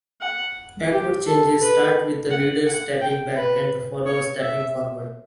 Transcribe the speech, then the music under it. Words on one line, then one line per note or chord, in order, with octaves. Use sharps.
Backward changes start with the leader stepping back and the follower stepping forward.
F#5
G4
A4
B4
F#5
F#5
G5
B4
C#5
E5